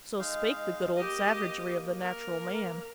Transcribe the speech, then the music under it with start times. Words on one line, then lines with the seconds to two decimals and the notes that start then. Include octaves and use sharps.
So spake the good old savagery of the natural man.
0.19 G#3 D#4 F5
0.96 A#3 G4 D#5
2.01 A#4